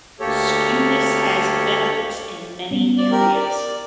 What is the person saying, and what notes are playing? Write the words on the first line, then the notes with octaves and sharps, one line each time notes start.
Skewness has benefits in many areas.
D2 A#3 G4 A4 C#5
G3 B3 C#4
D5
G4 A#4
A#4 D5